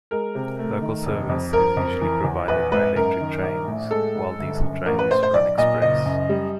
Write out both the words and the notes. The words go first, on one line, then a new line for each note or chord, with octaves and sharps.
Local service is usually provided by electric trains, while diesel trains run express.
G#3 A#4
C3
A3
D#3
F1
F2
F3 A#4
F2
E3
E2
A#1 B4
G#2 B4
F#2 A#4
D#3
A#1
A2
G#3 A4
G#2
G1
F#2
A1 A#4
B4
A2 C5
C5
B1 D5
A#2 D#5
F#1 D#5
F#2
G3